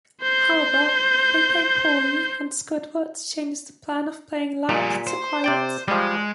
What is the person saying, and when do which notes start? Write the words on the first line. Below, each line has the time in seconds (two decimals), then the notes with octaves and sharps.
However, they play poorly, and Squidward changes the plan of playing loud to quiet.
0.22 C5 G6
4.69 A#2 G3 G#4
5.07 C5
5.44 C3 D5 G5
5.88 F3 G3 G#3